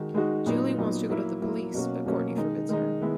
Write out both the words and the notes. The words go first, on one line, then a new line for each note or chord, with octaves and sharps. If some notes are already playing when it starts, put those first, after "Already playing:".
Julie wants to go to the police, but Courtney forbids her.
Already playing: D#3 G#3 D#4 F#4
D#3 G#3 D#4 F#4
A#2 F#3 B3 D#4
A#2 F#3 B3 D#4
F#3 A#3 E4
F#3 A#3 E4
B2 F#3 A#3 C#4 F#4
B2 F#3 A#3 C#4 F#4
D#3 G#3 D#4
D#3 G#3 D#4
D#3 G#3 B3 E4